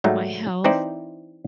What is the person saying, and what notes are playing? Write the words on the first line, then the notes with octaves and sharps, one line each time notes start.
my health
G#2 F#3 G3 A3 D#4
E3 C4 D#4 E4 C5 D5